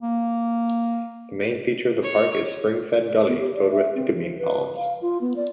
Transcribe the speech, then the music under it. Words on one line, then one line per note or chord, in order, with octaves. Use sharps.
The main feature of the park is spring-fed gully filled with piccabeen palms.
A#3
C#5
B3
G4
D5
E5
C4
F3
B4
F5
F4
B3
D5